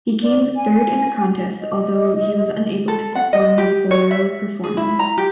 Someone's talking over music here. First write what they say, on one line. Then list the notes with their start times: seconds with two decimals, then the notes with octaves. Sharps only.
He came third in the contest, although was unable to perform his Bolero performance.
0.23 D5
0.56 G#5
1.62 D#5
2.88 A4
3.15 F#5
3.33 D#5
3.58 G4
3.91 C#5
4.11 E5
4.64 G#4
4.77 E4
4.99 A#5
5.18 G4